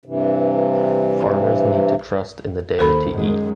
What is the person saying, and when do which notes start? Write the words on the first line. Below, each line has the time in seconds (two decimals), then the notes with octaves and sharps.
Farmers need to trust in the day to eat.
0.05 G2 C3 E3
2.79 D#2 A4 C5 B5
3.10 F#2 D#3 G#3